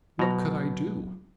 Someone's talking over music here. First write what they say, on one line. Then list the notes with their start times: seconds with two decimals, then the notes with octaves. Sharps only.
What could I do?
0.19 B2 F#3 A#5